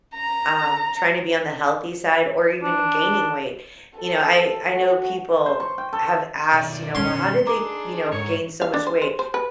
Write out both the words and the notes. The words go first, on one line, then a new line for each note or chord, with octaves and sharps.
um, tryna be on the healthy side or even gaining weight, you know, I I know people, eh, have asked, you know, "Well, how did they, you know, gain so much weight?"
A#5
D4
A4
F#4
C5
C#6
G5
A4
B1 D#3 E4 D5
C#4 C6
D4 D#4 G#4 A#5 D6
G#2 A#4 C#5
F5
D4
C5
C5
C5
B4